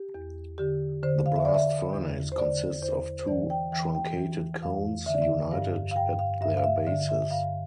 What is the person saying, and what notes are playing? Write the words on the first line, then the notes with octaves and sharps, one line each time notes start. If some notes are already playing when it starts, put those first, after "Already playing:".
The blast furnace consists of two truncated cones, united at their bases.
Already playing: G4
E2
D3 G4
D3 C5
F5
E5
D3 D5
E5
E2
C5
D3 D5
E2 C5
C5
E3 D5
G5
E3 G5
G5
E3
F2 F5
D3 E5
D5
E5
G2 F5
F5
G2 G5
F5
G2 E5
F5
E5
D3 E5
E5
G2 F5